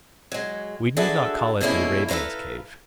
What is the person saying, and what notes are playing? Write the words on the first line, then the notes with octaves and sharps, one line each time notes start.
We need not call it the Arabian's cave.
F#3 G#3
D4 F#4 G#4 A4 B4 E5
B2 D3 G#3 A#3 C#4 E4
A4 B4 C5 F5 A#5